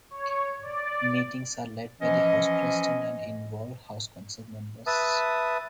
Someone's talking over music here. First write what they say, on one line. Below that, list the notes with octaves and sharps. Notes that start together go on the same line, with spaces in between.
Meetings are led by the House President and involve House Council members.
C#5
D5
E3 F3 C#4 D#5
B4 E5 A5 D#6